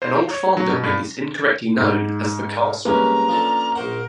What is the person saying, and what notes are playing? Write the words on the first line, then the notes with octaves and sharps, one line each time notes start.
An old farm building is incorrectly known as the castle.
C5
C#5
F#3
B2
G2
G#2
C2 G#3 A#3 C#4 B4 A#5
F3 D4 A4
A#1 A#4 C5 F#5